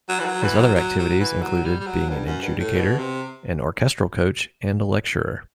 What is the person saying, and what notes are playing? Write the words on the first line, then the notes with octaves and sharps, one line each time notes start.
His other activities included being an adjudicator, an orchestral coach and a lecturer.
F#3
E3
F#3
E3
F#3
F#3
F#3
E3
F#3
G3
G3
F#3
G2
F#2
G2
A2
B2
C3